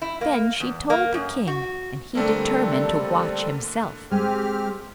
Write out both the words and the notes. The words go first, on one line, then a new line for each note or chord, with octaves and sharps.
Then she told the king, and he determined to watch himself.
E4
A#3
E2
A#3
F#2
F#4
D3 G3 A3 A#3 C4 A4
G#3 C4 G4 F6